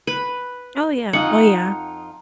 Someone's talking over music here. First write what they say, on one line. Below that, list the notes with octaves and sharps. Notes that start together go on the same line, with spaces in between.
Oh, yeah, oh, yeah.
B4
F2 D#4 F4 F#5